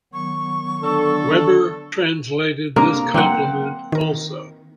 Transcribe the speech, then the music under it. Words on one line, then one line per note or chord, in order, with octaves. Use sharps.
Weber translated this compliment also.
D#3 F#3 B3 C#6
D3 A4
C3 A#3 C4 D4
D3 F#3 A#3 C4 F#5
D#3 A#4